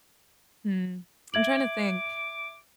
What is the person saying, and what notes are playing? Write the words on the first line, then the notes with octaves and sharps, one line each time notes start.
hmm. I'm trying to think.
E5 D6 G#6 F#7